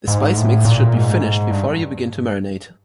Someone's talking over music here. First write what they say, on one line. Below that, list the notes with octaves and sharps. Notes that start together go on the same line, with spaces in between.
The spice mix should be finished before you begin to marinate.
G#2
A2
A#2
G#2
G2